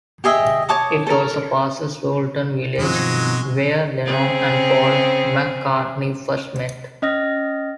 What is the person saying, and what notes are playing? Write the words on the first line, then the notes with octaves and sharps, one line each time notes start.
It also passes Woolton Village where Lennon and Paul McCartney first met.
G4 G#4 D#5 E5
C#5 A5 D6 D#6
A4 A#4
G2 B2 D#3 F3 F#3 G#3 C4
C#3 C4 G#4
C#4 D#5 F6 A#6